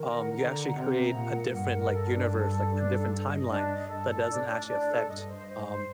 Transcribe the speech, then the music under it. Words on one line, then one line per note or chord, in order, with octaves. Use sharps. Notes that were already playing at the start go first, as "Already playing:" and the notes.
um, you actually create a different, like, universe, like, a different timeline that doesn't actually affect, um,
Already playing: D#3 A#4
F#5
D3 A#5
F#5
C3 A#5
A#5
A#2 F#5
A#4
G2 F#5
A#4
A4
D4
A4
A4
D4
A4
A4
D#5
G2 D4
D#5
G2 A4
A4
A2 D4
D4
D4
A4
G2 D#5
C5
C5
C5